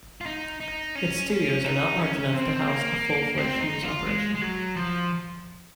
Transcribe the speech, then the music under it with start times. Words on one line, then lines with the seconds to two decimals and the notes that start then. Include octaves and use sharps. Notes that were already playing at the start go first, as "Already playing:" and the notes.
Its studios are not large enough to house a full-fledged news operation.
0.21 F4
0.26 D#4
0.60 D#4
0.95 C#4
1.30 C#4
1.65 D#4
1.99 C#4
2.33 C4
2.68 A#3
3.38 C4
3.60 D#4
3.83 F4
4.07 G#3
4.35 G#3
4.42 F#3
4.76 F3